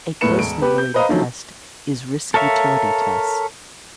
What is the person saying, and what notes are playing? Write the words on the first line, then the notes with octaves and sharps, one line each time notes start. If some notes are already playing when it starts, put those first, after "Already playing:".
A closely related test is risk-utility test.
E1 A2 B3 B4 C#7 E7
E1 D7
B3 G4 B4
G6
B4 C5 D#5 F5 A#5 B5
D3 D#3 F3 F#3 A3 C#4
A4 A#4 C#5 E5 F5